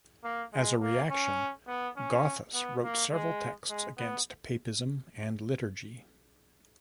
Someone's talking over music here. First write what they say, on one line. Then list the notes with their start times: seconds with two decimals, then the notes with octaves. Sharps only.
As a reaction, Gothus wrote several texts against papism and liturgy.
0.24 A#3
0.53 G#3
0.81 A#3
1.10 C#4
1.68 B3
1.96 C#4
2.54 B3
2.83 A#3
3.12 G#3
3.69 G#3
3.97 B3